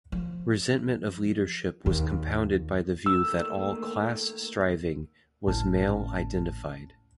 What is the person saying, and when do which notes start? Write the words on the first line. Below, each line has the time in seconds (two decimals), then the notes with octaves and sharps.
Resentment of leadership was compounded by the view that all "class striving" was "male-identified".
0.12 F3
1.86 D#2
3.06 D#3 A3 A#3 E6
5.47 G#1 C#2 A2 C#4 A5 F6